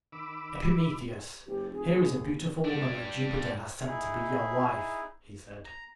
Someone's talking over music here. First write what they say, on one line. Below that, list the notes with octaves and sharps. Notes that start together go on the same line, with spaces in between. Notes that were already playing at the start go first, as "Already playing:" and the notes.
"Epimetheus, here is a beautiful woman that Jupiter has sent to be your wife," he said.
D#3 B5 D6 E6
F#1 G4
F1 G#4
D#2
G3 D4
D#4 E4 G#4
A#5